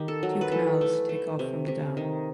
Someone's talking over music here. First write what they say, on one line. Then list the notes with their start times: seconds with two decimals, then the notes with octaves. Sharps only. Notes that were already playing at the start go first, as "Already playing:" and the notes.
Two canals take off from the dam.
Already playing: D#3 A3 G4
0.08 A4
0.23 F#3
0.41 B4
0.51 E3 A4
0.81 A3
1.09 A3
1.39 C3
1.68 C3
1.97 D#3